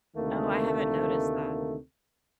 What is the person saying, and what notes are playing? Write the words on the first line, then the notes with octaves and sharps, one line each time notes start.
Oh, I haven't noticed that.
D2 C3 D#3 A3 A#3